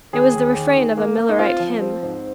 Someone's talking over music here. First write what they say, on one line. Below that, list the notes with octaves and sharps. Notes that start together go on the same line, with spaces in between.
It was the refrain of a Millerite hymn.
D#2 G#4
D#2
D#2
D#3
A#3
A#3
D#4
C4 F4
F3
C4
G#2